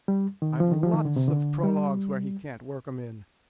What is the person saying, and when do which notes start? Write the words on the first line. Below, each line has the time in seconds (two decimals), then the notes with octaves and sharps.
I've lots of prologues where he can't work 'em in.
0.08 G3
0.42 D#3
0.60 F3
0.71 D#3
0.83 F3
0.94 D#3
1.05 D3
1.16 C3
1.28 D3
1.63 G3